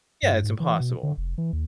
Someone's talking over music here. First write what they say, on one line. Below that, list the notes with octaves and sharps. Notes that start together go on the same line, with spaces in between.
Yeah, it's impossible.
G2
G#2
E3
B2
D3
F1
E3
D#2